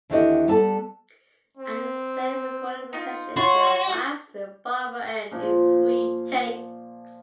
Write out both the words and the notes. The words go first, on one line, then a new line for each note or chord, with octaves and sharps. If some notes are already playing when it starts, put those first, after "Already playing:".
At the same recording session they waxed "Barbara-Ann" in three takes.
D#2 D3 E3 F#4 G4 D#5
G3 B3 A4 A5
C4
D#4 F4
F4 F#4 C#5 C6
A#2 F3